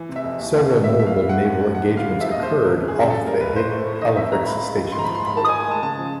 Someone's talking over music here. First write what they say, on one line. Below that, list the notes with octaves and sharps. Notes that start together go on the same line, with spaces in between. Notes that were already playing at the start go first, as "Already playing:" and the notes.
Several notable naval engagements occurred off the Halifax station.
Already playing: E3
C3
E5
F2
D#2
D#2
D#2
G3 E5
D#2 E5
F5
G3
G3 F#5
D2
D2
F#2 F#5
D3
F5
G3
F3 E5
D#5
D#2
C5
D#2
F#2 A#4
C#3
G#4
F#2
E3 A4
G3 A#4
C#2 B4
A2 C5
A3
A2
D#3 D#5
F2 E5
F2 A#5
C#2 B5
C#2
E3
G#2 C6
A#5
B5
F3
C6
G#2 B5
D#3 A5
G#5
D#3
G#5
G#3 A5
C#3 A5
F3